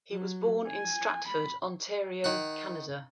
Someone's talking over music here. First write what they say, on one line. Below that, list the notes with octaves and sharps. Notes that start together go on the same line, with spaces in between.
He was born in Stratford, Ontario, Canada.
F#3
G#5
B5
D#3 F#5